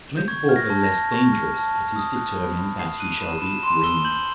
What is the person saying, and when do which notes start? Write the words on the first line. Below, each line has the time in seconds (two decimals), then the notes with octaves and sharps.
To make the porker less dangerous, it is determined that he shall be RINGED.
0.17 G6
0.28 C#6 G#6
0.49 F6
0.56 A#6
0.70 A5
0.84 A#6
0.91 A5
1.12 C#6
1.33 F6
1.54 A5
1.75 A5
1.96 D#6
2.16 F#6
2.37 B5
2.58 B5
2.79 D#6 C7
3.00 F#6 D#7
3.21 B5 E7
3.42 B5 E7
3.63 C6 E7
3.84 E6 G7
4.05 G6 F#7